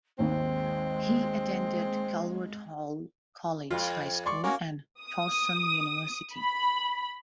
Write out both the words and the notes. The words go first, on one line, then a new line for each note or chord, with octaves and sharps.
He attended Calvert Hall College High School and Towson University.
G#1 D#2 D#3 G#3 C4
F2 F4
D5 C6 C#6
A#3 C#4 F#4 C#5
D#6
B5